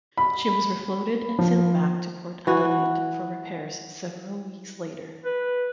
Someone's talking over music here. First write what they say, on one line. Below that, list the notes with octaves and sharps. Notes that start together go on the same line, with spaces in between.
She was refloated and sailed back to Port Adelaide for repairs several weeks later.
B5
F3
E3 F#4
B4